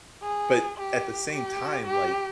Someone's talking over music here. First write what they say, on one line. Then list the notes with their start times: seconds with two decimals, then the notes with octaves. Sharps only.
But at the same time, like,
0.22 G#4
0.78 G4
1.32 G4
1.88 G4